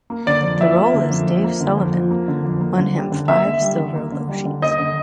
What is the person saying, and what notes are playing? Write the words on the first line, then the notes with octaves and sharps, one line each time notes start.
The role as Dave Sullivan won him five Silver Logies.
A#3
D3 D5
F2
F3 E5
A#3
D3
F2
F3
A#3
D3
F2
F3
A#3
D3
F2
A#3
D3
G3
D3
A#3 E5
D3
G3
D3
A#3
D3
G3
D3
A#3 D#5
D3